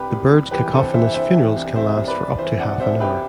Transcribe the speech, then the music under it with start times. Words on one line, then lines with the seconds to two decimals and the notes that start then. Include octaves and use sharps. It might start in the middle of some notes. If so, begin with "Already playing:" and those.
The birds' cacophonous "funerals" can last for up to half an hour.
Already playing: C2 G4 B4
0.11 C2
0.32 C2
0.51 E3 G4 B4
0.73 C3 A4 C5
0.93 E3 C5 E5
1.14 C2 C5 E5
1.35 E3
1.56 C2
1.76 C3 C5 E5
1.97 C2
2.07 B4 D5
2.17 C2
2.38 E3 C5 E5
2.59 C3 D5 F#5
2.80 C2 C5 E5
3.00 C3 G4 B4